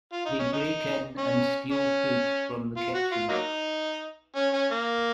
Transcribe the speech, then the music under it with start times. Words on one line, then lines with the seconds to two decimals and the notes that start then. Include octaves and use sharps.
They break in and steal food from the kitchen.
0.12 F4
0.26 D#4
0.39 C#4
0.53 D#4
1.18 C#4
1.71 C#4
2.77 F4
2.94 F#4
3.12 F4
3.29 F#3 A#3 D#4
4.36 C#4
4.53 C#4
4.72 A#3